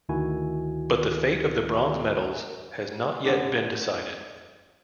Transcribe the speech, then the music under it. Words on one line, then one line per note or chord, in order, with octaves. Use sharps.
But the fate of the bronze medals has not yet been decided.
D2 D#3 E4 F#4 G#5
F#2 D3 C#4 D4